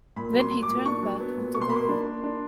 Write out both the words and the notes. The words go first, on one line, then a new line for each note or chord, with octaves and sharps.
Then he turned back into the room.
A#2 B5
F#3
C6
F#3
D6
A#2
D4 C#6
F#3
B3
A#2
B2 C#6
C6
B5
A#3 C6
D4
A#3
D4